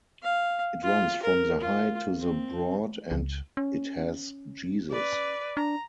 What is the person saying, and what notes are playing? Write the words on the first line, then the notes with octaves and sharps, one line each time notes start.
It runs from the High to the Broad and it has Jesus.
F5
F4
A#4
F4
C4
C#2
C#4
B4 D5
D4 A#5